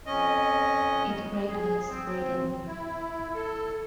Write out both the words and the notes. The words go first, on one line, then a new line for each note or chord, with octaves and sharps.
It regulates breathing.
F2 C#4 D#5
G#4
C4
E4
A4